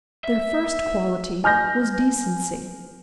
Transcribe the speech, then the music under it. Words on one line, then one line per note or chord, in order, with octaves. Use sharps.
Their first quality was decency.
E5
G#5 F6 G6 A#6